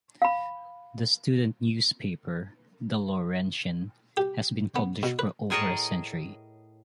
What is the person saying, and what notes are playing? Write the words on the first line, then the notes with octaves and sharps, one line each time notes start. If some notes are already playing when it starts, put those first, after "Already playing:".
The student newspaper, "The Lawrentian", has been published for over a century.
F5 B5
G4
B3
B2
B4
A2 G#4 A#4 C#5 D#5 A5